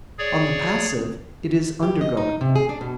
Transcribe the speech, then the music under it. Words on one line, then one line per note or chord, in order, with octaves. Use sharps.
On the passive, it is undergoing.
G#4 C#5 D5
G4
D#5
D#4
C3
G#4
D4
B2